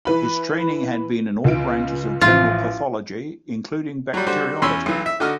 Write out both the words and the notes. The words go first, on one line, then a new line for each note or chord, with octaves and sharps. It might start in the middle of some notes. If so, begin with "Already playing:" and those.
His training had been in all branches of general pathology including bacteriology.
E3 B4 B5
C#2 F4 D7
A1 F3 F4
F#3 G3
D3 G3 F#4 C5
E2 C#4 C#5 B5 C6 E6
B1 E3
E5
D3 D#4 F#4 D#5 F6